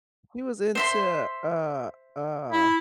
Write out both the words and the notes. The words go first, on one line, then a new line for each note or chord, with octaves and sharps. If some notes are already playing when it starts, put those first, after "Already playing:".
she was into, uh uh
C5 E5 C6
E4